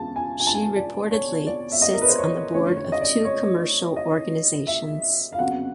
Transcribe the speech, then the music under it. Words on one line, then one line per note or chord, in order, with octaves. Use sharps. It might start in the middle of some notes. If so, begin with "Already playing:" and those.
She reportedly "sits on the board of two commercial organisations".
Already playing: E1 E2 C#3 A5
G#5
G#5
A5
G#5
D5
C#5
D5
E5
D#5
A#4
B4
C5
C#5
A1 G2 D3 C#5
C#5
D#5
D5
C#5
D#5
E5
F5
F2 C#3 F#3 B3 F#5